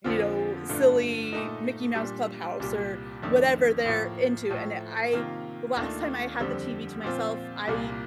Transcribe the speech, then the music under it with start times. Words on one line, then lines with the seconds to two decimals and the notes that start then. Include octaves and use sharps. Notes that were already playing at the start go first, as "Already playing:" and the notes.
you know, silly Mickey Mouse Clubhouse, or whatever they're into, and e I the last time I had the TV to myself, I
0.04 F2 D3 F3 C4 F4
0.69 G2 D3 A3 D4 F4
1.33 A#2 A3 D#4
1.95 A#2 G3 D4
2.60 C2 A#2 G3
3.22 F2 D#3 A3 D4
3.85 A2 F3 A#3
4.49 A2 F3 A3
5.13 C3 D#3 A#3 F4
5.76 D#2 D#3 A3 D4 F4
6.39 F2 D3 G3 C4
7.04 A#2 F3 C4 F4
7.67 C2 A#2 G3 A#3 F4